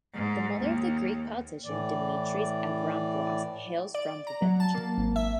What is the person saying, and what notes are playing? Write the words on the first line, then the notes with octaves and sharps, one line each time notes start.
The mother of the Greek politician Dimitris Avramopoulos hails from the village.
G#2
D#2
A2 E3 D5
D5
A#5
F#3
A5
A#3
G#1
E5